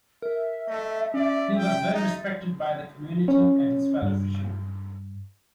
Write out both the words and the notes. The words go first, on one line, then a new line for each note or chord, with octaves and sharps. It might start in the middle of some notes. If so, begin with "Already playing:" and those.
He was well respected by the community, and his fellow fishermen.
A#4 E5
A3 D#5
C#4 D5
G5
D#4 A6
C#4
G2